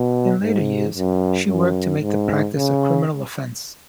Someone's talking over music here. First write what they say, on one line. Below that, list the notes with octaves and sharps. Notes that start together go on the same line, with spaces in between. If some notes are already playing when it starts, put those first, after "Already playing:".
In later years, she worked to make the practice a criminal offense.
Already playing: B2
G#2
F#2
F#2
G#2
C#3